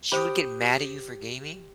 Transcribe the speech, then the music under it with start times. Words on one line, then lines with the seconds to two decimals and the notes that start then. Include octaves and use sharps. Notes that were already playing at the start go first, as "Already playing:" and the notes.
She would get mad at you for gaming?
0.12 G4 C5 B5 D#6